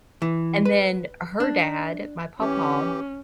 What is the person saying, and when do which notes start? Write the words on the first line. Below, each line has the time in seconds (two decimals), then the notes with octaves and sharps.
and then her dad, my papa,
0.22 E3
0.65 B4
1.40 D4
2.40 E3 C#4 G4